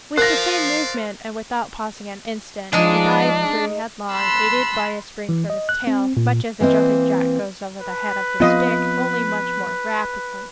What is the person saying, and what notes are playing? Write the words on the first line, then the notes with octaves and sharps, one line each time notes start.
With the same movement, and without pausing an instant, he dived through headlong, aided by a spring from his tail, much as a jumping jack goes over the head of his stick, only much more rapidly.
A#4 C5 D5 F5 F#6 A#6
F3 G#3 D4 D#4
A5 B5 C6 E6 F#6
E3
D#5
F#6
C4
A#2
E3 A#3 C4 D#5
B4
F3 B3 C4 F4 D#5 F5